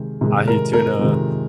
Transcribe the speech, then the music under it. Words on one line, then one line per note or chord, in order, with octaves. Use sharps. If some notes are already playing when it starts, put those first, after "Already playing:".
ahi tuna,
Already playing: C3 D#3 G#3
C3 D#3 G#3
A#4
A#4
C3 D#3 G#3